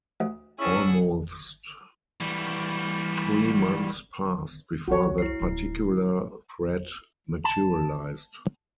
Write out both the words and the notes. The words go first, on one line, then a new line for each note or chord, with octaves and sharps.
Almost three months passed before that particular threat materialized.
D2
A2 C#4 D4 E4 G#4 F#5
E3 G3
C2 D3 F#4 C#5
E4 C7
D1 F2
A5